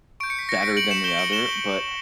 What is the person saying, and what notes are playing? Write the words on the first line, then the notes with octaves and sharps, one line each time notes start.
better than the other, but
C#6 G6 D7
C#7
B6
A#6 C#7
B6 D7
D7 F#7
C#7 E7
C#6 G6 E7 G7
D7 F#7
E7 G7